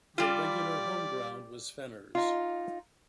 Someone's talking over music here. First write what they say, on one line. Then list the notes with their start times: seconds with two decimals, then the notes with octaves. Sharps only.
The regular home ground was Fenner's.
0.18 G3 F4 G4 D5
2.15 D#4 F4